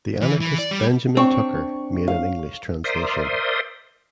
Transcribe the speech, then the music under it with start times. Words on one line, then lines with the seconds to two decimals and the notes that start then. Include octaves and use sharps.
The anarchist Benjamin Tucker made an English translation.
0.22 E3
0.41 E3
0.58 D5
0.71 G3
1.17 C4 D4 C#6
2.08 F5
2.84 A#4 C5 D5 E5 C6 D#6